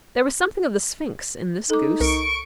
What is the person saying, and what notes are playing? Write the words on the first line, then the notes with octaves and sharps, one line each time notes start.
There was something of the Sphinx in this goose.
D#4 A4 D6
C2 A#4 C#6 D7